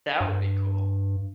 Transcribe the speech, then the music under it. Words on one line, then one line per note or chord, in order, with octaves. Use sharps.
That would be cool.
G2